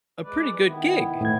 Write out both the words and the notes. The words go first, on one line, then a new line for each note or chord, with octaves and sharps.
a pretty good gig.
G#3 B4 D5
D#3 B3 E4
A2 G#6